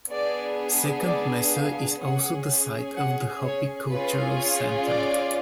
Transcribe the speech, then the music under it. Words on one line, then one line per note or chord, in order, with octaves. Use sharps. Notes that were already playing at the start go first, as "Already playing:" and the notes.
Second Mesa is also the site of the Hopi Cultural Center.
B3 D4 G#4 D5
D5
F5
C#4 G#4 F#5
F#5
C#5
C#4 F4 G#4 B4
C#5
D5